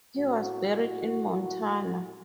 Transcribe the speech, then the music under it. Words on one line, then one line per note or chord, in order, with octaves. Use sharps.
He was buried in Montana.
A2 F#4